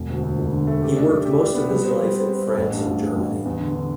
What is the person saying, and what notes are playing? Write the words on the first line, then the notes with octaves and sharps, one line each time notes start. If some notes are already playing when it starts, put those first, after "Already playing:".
He worked most of his life in France and Germany.
Already playing: E1
D2
D2
E1
D3
A3
G4
D4
G4
G4
D4
B3
G3
C4
G3
C4
C4
C4
A1
G2
A1
A1
A1
A1
E2
D3
D3